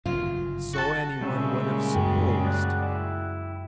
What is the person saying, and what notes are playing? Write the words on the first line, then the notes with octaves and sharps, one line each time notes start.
So any one would have supposed.
G1 C#3 F#3 F4
F#4 A4 A5
A#2 C#3 G3 G#3 C#4 E5
F#2 F#4 G5
D5 F#5
E4